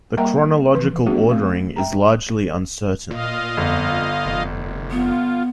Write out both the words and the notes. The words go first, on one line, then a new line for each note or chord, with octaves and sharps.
The chronological ordering is largely uncertain.
G3 A#3 A#4 E5 G5 A#5
E3 F3 B4
A3 B3 D4 F#4 G#4
A3 C4
E5 G5 A#5
A#2 F4 D#5 F5
G1 F2
F1
B3 F4